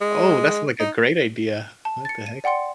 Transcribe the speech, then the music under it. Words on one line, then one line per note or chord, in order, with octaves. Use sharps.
Oh, that's, like, a great idea. What the heck?
G#3
D#4
A5
A6 C#7
D#7
D5 F#5 G5 C6 C#7